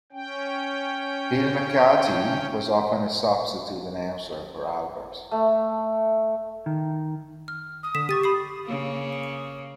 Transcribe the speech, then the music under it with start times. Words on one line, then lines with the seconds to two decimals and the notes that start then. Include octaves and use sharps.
Bill Macatee was often a substitute announcer for Albert.
0.12 C#4 G5
5.31 A3
6.66 D#3
7.48 F6
7.83 D#6
7.95 D3 B6 E7
8.09 G4 C#6 A6 D#7
8.23 B5 D#6 C7
8.66 C#3 A#3